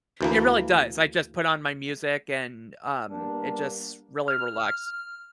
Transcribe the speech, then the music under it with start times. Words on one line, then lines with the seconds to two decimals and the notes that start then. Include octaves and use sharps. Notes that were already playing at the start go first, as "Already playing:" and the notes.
It really does. I just put on my music and, um, it just really relax
0.21 D2 E3 A#3
3.10 G3 A#3 B3 D4
4.28 F6